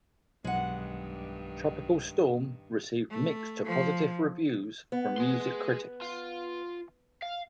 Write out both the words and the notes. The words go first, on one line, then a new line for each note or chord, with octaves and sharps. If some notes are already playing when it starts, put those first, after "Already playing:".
"Tropical Storm" received mixed to positive reviews from music critics.
B1 G2 D#3 G#3 F#5
A3
F3
B3
G#4 C6
F4
F5